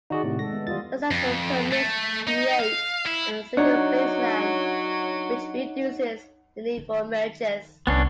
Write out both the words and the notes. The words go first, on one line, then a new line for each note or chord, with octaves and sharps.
Successful commits create a single baseline, which reduces the need for merges.
D#3 D#4 F#4 G#4 D5 F#5
A2 C3
G#3 A4 A#6
G#3 B3 E5
E3 G3 F4 D#5 A6
F2
A3
D#4
F5
E4
F#3 D4 D#4 C#5 F#5
D#3
C2 B3 C#4 D4